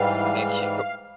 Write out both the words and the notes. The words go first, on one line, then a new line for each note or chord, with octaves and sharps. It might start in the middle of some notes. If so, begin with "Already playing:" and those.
Thank you.
Already playing: G#2 E3 G3 F5